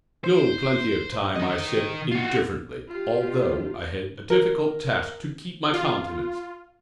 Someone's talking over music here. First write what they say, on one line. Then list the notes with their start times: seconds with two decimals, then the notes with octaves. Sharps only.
"No, plenty of time," I said indifferently, although I had a difficult task to keep my countenance.
0.24 C5
1.36 D#3 D#5
2.11 F4 F#4
2.89 F4 G4
4.30 A#4
5.74 F4